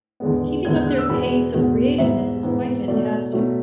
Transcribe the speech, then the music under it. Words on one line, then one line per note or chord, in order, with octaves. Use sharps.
Keeping up their pace of creativeness is quite fantastic.
E2 D3 G#3 B3
E2 D3 G#3 B3 G#6
G#6
F#6
E6
E2 B2 G#3 B3 B5
E2 B2 G#3 B3
G#2 E3 B3 E5
G#2 E3 B3
B2 F#3 A3 D5
B2 F#3 A3